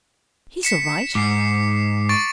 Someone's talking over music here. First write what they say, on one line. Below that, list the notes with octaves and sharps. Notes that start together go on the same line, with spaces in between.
He's all right.
B6 C#7 E7
G#2 D6 C7
C#6 A6 D7